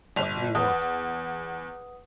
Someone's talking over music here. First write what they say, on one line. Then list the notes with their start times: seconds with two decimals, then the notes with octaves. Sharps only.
What did he want?
0.16 G1 F7
0.55 E2 B4 F#5 D#6